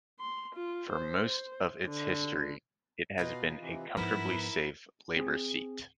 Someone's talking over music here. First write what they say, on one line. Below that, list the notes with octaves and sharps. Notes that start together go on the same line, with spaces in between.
For most of its history, it has been a comfortably safe Labor seat.
C6
F4
C5
D3
B2 D#4 F4 B4
C3 E3
G#2 F3 B3 E4 A#4 B5
C4 G#4